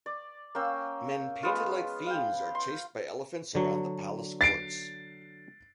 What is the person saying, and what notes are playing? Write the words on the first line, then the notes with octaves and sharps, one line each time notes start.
Men painted like fiends are chased by elephants around the palace courts.
D5
A#3 C#4 G5 E6
G#3 B3 F4
F5 G5
C6
D3 F#3
A6 C7 D7